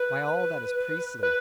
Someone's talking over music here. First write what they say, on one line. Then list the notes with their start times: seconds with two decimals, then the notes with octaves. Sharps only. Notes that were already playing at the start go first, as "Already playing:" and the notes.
By all that is priestly!
Already playing: B4
1.23 B4